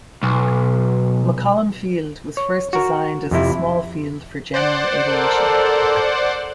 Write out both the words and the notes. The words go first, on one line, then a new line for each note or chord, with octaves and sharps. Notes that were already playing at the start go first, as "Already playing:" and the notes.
McCollum Field was first designed as a small field for general aviation.
B1
C#5
F#4 A#4
F2 C3 E4
C5 D5 F#5
A4 A#4